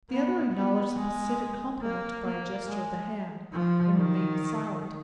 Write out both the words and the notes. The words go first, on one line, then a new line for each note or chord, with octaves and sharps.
The other acknowledged the pacific compliment by a gesture of the hand, and remained silent.
B3
B3
G#3
A#3
A#3
G#3
F3
D#3